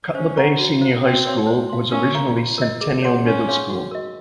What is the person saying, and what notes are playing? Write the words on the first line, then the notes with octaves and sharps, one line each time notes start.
Cutler Bay Senior High School was originally Centennial Middle School.
C#4 C5
F#5 A#5 C#6
F#4
C5 F5
C4 F4
A#4 C#5 F5 C6
C5
F5 C6
C#4 A#4
F5 A#5 C#6
F4
A#4 D#5
G#4
C#5 F#5 C6
C#4 D#4
G#4 C#5 F5 C6
F#4
A#4 D#5